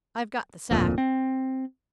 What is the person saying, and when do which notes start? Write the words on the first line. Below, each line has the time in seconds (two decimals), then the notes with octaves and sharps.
I've got the sack.
0.71 D1 F2 A#2
0.98 C4